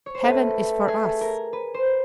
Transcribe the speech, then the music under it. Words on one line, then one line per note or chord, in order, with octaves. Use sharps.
Heaven is for us!
C#5
C5
A3 B4
G#4
A#4
B4
C5